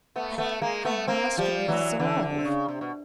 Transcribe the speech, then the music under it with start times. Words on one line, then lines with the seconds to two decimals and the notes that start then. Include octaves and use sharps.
But I must resolve.
0.16 A3 B3
0.38 A3 B3
0.62 G#3 A#3
0.85 A3 B3
1.07 A#3 C4
1.38 F3 G3
1.68 E3 F#3
2.00 D3 E3
2.22 D3
2.39 C3
2.45 C#3
2.68 C3
2.81 B2